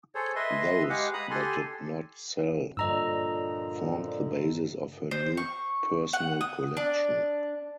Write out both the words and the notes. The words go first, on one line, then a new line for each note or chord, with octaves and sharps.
Those that did not sell formed the basis of her new personal collection.
G#4 A4 C5 C#5
B4 D#5 E5 C6
G#3 G4 G#4 F5 F#5
A#5 B5 D#6 F#6
G4 A4 G#5 C6
G2 A#2 D3 F3 D#5 A#5 E6 A#6
C5
C#6
F#5
D#6
D4